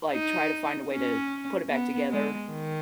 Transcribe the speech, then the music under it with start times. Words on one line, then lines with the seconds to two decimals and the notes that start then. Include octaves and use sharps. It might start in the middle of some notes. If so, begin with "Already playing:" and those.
Like, try to find a way to put it back together,
0.12 D#4
0.91 C#4
1.70 B3
2.10 G#3
2.50 D#3